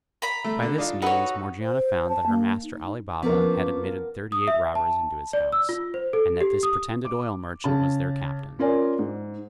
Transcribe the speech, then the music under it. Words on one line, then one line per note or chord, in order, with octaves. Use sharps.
By this means Morgiana found that her master Ali Baba had admitted thirty-eight robbers into his house, and that this pretended oil merchant was their captain.
A#5 B5
A3
D3
D4 D#4 F4
D#4 F#4 A4 B4 C#5
C5
A5
A#3
D#4
F3 A#3 B3 C#4 D4 A#4 B4 D6
D#6
E5
A5
D5
E6
F4
C5
A4
G4
D#6
D6
C#3 A5
C#4 F4 A#4 D5 G#5
G#2